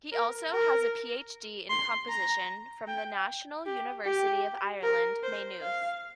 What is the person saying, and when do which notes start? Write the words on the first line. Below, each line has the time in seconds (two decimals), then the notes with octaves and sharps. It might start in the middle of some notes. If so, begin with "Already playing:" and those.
He also has a PhD in composition from the National University of Ireland, Maynooth.
0.12 A#4
0.51 A#4
1.70 C6
2.09 A#5
2.88 G5
3.66 G4
4.05 G4
4.83 A#4
5.24 C5
5.62 F5